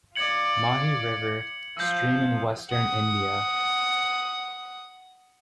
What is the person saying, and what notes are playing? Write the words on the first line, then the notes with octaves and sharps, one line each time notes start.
Mahi River, stream in western India.
F4 D5 G#6 C#7 F#7
F3 E6 G6
F#5 D#6